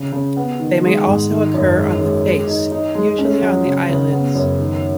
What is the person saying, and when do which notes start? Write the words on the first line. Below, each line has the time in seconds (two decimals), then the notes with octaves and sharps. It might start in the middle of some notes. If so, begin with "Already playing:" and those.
They may also occur on the face, usually on the eyelids.
Already playing: C#3
0.12 C#3
0.37 B3
0.60 D#3
0.84 G#3
1.06 G#2
1.31 D#3
1.54 F#2
1.77 G#3
2.00 G#3
2.25 G#3
2.47 D#4
2.72 D#4
2.95 G#3
3.18 C#4
3.42 F#3
3.66 C#3
3.89 C#3
4.12 B3
4.35 F#2
4.59 D#3